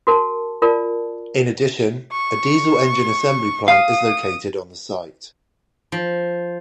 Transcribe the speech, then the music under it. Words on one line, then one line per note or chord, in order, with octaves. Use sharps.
In addition, a diesel engine assembly plant is located on the site.
F#4 A#4 A5
F4 A#4 D5 A5
C#6
F5 D#6
F3